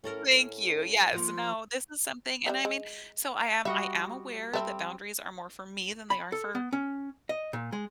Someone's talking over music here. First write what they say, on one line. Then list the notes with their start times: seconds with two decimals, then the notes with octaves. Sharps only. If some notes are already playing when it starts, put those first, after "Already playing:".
Thank you, yes. No, this is something and I mean so I am I am aware that boundaries are more for me than they are for
0.04 A2 C#4 A4 A#4
0.30 A2
1.13 F3 A#3 F4
2.46 G3 C5 E5
2.65 G#3
3.65 G3 F#4 D#5 E5
4.53 G3 C4 A4 E5
6.10 B5
6.32 A4
6.55 B3
6.73 C#4
7.29 D#5
7.53 A#2
7.72 G#3